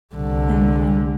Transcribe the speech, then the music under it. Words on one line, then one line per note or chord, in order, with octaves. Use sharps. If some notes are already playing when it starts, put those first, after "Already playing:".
and, um
C2 D3